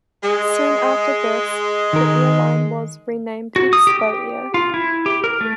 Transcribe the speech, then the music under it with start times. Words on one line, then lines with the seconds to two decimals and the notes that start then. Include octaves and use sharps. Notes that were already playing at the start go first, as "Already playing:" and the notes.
Soon after this, the airline was renamed ExpoAir.
0.23 G#3
1.93 D#3 A#4
3.56 F#4
3.73 D#6
3.87 G4
3.99 G4
4.54 F4
4.74 E4
5.06 G4
5.24 A#4
5.41 A3